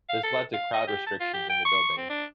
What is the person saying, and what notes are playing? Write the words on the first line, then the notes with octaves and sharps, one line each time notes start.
This led to crowd restrictions in the building.
F5
A4
F5
D#5
G4
A5
F4
G4
G5
C#6
C4
D4